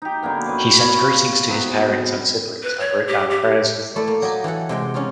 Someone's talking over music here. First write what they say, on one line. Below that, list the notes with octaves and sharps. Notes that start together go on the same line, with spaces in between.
He sent greetings to his parents and siblings and wrote down prayers and thoughts.
D#4 G4
D3 F#3 A#3 B3
F#2 B4 C#6 D6
F4 C#5 F5 B5
C3 F#3 B3
B4
C#5
G4
G4
A3 E4 D5
A#3
F#3 G4 D#5 G#5
E3 G4 A4 F#5
C3 G#3 G5
C#4 D#4 F4 G#4